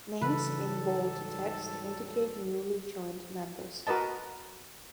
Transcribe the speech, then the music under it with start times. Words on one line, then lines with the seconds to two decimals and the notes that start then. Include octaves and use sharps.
Names in bold text indicate newly joined members.
0.21 G#2 C#3 E3 F#3 G3 A4 B4
3.87 F#4 A#4 B4 D#5 A5